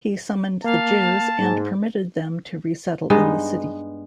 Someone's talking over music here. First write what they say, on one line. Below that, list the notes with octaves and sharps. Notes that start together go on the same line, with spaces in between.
He summoned the Jews and permitted them to resettle in the city.
A#3 F5 A5
G#2
G2 G#3 B3 D#4